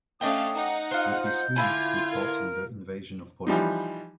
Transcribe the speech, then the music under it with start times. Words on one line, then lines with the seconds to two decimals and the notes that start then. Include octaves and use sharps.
With this unit, he fought in the Invasion of Poland.
0.21 A3 C#4 D4 D#5 F5 G5 D#6
0.53 D#4 F#5
0.91 F4 C5 F#6
1.26 G6
1.56 D3 E4 F4 G#5 G#6
2.12 A#4
3.47 E3 F3 G3 D#4